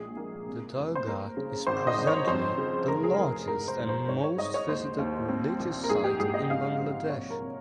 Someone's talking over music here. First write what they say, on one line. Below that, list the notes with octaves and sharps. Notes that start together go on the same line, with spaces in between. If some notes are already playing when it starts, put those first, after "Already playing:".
The Dargah is presently the largest and most visited religious site in Bangladesh.
Already playing: A#1 G#3 G#4
A#3
C3
F1
C5
A#3 A#4
C#3
G#1 C5
D#5
G#1
C#5
F2 C5
C#3
F1 A#4
G#4
F1 A#4
G#2 A#4
C5
G#2
C5
G#2 C#5
C#5
G#2 D#5
C#5
D#2 C5
D#2
C4
A#1
A#4
G#2 G#4
G4
G#2 G#4
D#5
C4 F5
A#1
C3 C#5
A#4
C3